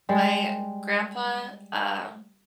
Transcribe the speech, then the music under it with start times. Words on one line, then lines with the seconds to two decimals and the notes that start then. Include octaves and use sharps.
my grandpa, uh,
0.09 G3 G#3